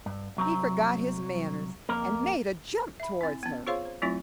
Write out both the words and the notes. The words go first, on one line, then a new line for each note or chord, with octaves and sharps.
He forgot his manners and made a jump towards her.
G2
C2 F#3 C4 A#5
F2 A#3 A#4
E5 B5
C4 E4
B3 C#4
F4 G#4 C5 C#5 F5 C6
C5
F#3 A3 C4 E4 F4